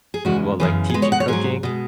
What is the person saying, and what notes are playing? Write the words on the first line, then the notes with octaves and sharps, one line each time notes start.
well, like teaching cooking,
G#4
E2 C#3 E3 G#3 F#4
F#2 C#3 E3 G#4
G#4
B2 G#3 B4
C#5
F#5
C#5
G#2 F#3 G#4
B2 G#3